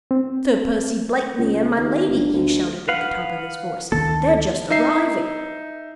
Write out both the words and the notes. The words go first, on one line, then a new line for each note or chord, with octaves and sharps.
"Sir Percy Blakeney and my lady," he shouted at the top of his voice, "they're just arriving."
C4
C#2
D#2
G1
D2
B4 F5 F#5
D2 D#3 A#3 A4
D#4 E5 C7